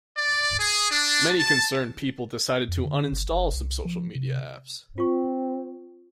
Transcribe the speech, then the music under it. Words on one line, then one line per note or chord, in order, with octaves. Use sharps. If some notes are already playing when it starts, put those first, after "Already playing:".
Many concerned people decided to uninstall some social media apps.
D5
G#4
D4
A5
F2
D3
G1
F#1
C2
F3
C3
C4 F4 C#6